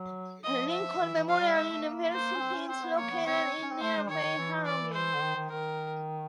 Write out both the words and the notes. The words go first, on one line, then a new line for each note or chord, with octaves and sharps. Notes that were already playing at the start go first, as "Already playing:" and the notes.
Lincoln Memorial University is located in nearby Harrogate.
Already playing: F#3
F3 D#5
E5
E3
E3
F3 F5
G3
G#3 E5
A3
A#3
C5
C#4
C4
C#4
C4 C5
B3
A#3 C#5
B3
C4 C#5
C#4
C4
A3 C5
G#3
D#3 C#5
D#3
E3
D5
C5
D3
D#3
D#3
D#3 A#4